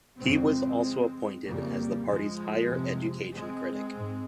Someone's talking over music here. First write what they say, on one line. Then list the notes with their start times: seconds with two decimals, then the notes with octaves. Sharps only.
He was also appointed as the party's Higher Education Critic.
0.20 F2 C#3 G#3 C4
1.45 F2 C#3 G3 A#3
2.08 F3 G#3
2.70 F2 C3
3.33 G#3 C4
3.95 G#2